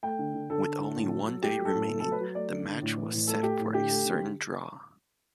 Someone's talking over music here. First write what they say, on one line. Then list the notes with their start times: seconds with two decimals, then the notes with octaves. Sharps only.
With only one day remaining, the match was set for a certain draw.
0.03 A3 G5
0.19 D3
0.34 D3
0.50 D3 A4
0.65 D3
0.80 D3
0.96 A2
1.12 F#3
1.27 F#3
1.42 A3 G4
1.58 F#3
1.65 A4
1.74 A2
1.88 A3 A4
2.00 F#3 A4
2.12 B4
2.20 F#3
2.35 A3 D5
2.51 D3
2.66 D3
2.81 A2
2.97 E3
3.12 A2
3.27 A3 A4
3.43 A3 G4
3.59 A2
3.74 D3 G4
3.90 A3
4.05 D3